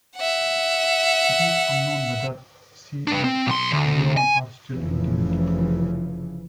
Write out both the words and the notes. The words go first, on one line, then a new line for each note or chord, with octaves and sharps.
It is unknown whether she and Gideon are still intimate.
E5 F#5
D4 B4
C4
B1 C6
D2
G#5
F1 C#3 E3 F3